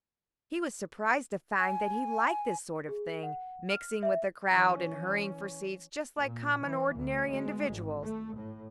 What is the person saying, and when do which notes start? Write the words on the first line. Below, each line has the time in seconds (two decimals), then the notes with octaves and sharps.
He was surprised to find that he liked this sort of thing, mixing with a crowd and hurrying for seats just like common ordinary individuals.
1.60 G#5
2.89 G#4
3.23 F#5
3.70 F6
4.03 E5
4.50 E3 C#4
6.19 A#2
6.63 E3
6.96 D2
7.30 G#3
7.70 G#1
8.03 A3
8.37 A2